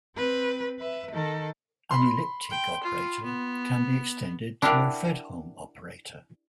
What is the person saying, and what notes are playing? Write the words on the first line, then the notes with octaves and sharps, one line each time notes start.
An elliptic operator can be extended to a Fredholm operator.
C4 B4
B4 E5
D#3 A4
B5 C6
G5
F4
B3
D4 E4 G4 A#4 F5 F#5